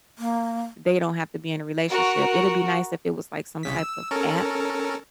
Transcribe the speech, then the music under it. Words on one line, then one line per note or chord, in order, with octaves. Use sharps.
they don't have to be in a relationship, it'd be nice if it was, like, some type of app,
A#3
F#4 A#4
C2 C#3 B6
E6
C#4 A4 A#4